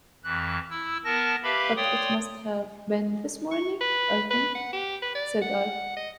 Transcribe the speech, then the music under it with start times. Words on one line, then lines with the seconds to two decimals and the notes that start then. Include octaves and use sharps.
"But it must have been this morning, I think," said I.
0.24 F2 E3 F#6
0.70 E4 E6
1.05 B3 A#4 A5 A#6
1.43 G4 B4 E5 F5 B5
1.76 C#5 D5 G5 C6 D#6
3.51 C#6
3.81 B4
4.30 B4
4.55 F#5
4.73 G4
5.02 B4
5.15 D5
5.42 F#5
5.97 D#5